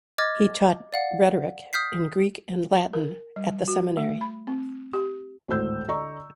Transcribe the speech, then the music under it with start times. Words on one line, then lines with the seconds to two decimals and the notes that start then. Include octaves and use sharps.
He taught rhetoric in Greek and Latin at the seminary.
0.18 D#5 D6 F6 G#6 A6
0.93 D5 F5 F#5
1.73 D#6 F6 G6 B6 C7
2.93 A#4
3.36 G3
3.68 F#4
3.97 A3
4.21 B5
4.47 C4
4.93 G4
5.48 G#1 D2 A2 C5 E6 G6
5.88 D3 D5 D#5 A#5 C#6